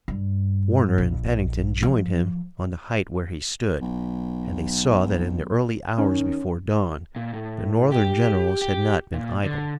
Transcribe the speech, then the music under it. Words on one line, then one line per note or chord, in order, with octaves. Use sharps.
Warner and Pennington joined him on the height where he stood, and they saw that in the early hours before dawn the Northern generals had not been idle.
G2
A#1
F3
B1
D#3 C#4
A#2
A2
G4
G4
A#2
D3